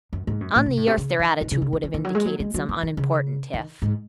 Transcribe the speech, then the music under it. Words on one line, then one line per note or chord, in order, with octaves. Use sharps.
On the earth, their attitude would have indicated some unimportant tiff.
F#2
G#2
F#2
A2
C3
A2
C3
C#3
D#3
D#3
C#3
C#3
D#3
E3
E3
F#3
G#3
F#3
G#3
F#3
E3
D#3
C#3
D#3
G#2